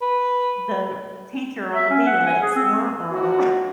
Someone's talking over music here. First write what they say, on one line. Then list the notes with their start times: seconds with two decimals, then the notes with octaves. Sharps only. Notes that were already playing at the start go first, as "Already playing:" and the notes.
the teacher on the Peanuts, "Wah, wah."
0.02 B4
1.74 E5
1.90 C#4
2.06 F#5
2.26 G#5
2.42 G#4
2.56 C4
3.11 D#2 F4 F#4